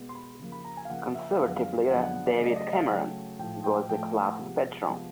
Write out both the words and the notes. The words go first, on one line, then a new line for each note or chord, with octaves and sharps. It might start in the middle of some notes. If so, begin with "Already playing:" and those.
Conservative leader David Cameron was the club's patron.
Already playing: B2 G#3 B3
C6
B5
C#3 F3 A#3
B5
A#5
G#5
F5
C#3 F3 A#3 F#5
E5
F#2 D3 F3 G#3 B3 F5
F#5
F5
F#2 D3 F3 G#3 B3 F#5
F#5
F#5
D5
C#3 F#3 A3 D#5
D5
D#5
F5
C#3 F#3 A3 G5
A2 F3 A3 G5
G5
A2 F3 A3 G5
F#5
C3 F3 G#3 B3
C3 F3 G#3 B3